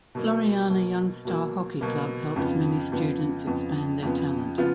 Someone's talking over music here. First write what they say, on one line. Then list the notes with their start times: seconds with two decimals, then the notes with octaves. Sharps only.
Floriana Youngstar Hockey Club helps many students expand their talent.
0.15 B2 F#3 A#3
0.69 B2 F#3 A#3
1.25 B2 F#3 A#3
1.81 B2 F#3 A#3
2.36 F2 C#3 F3 B3
2.92 F2 C#3 F3 B3
3.47 F2 C#3 F3 B3
4.02 F2 C#3 F3 B3
4.58 C#3 F3 B3 F4